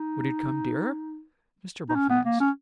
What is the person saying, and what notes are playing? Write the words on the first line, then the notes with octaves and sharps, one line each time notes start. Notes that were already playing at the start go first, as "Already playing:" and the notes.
'Would it come dearer?' Mr Boffin asked.
Already playing: D#4
D#4
C#4
B3
A#3
C#4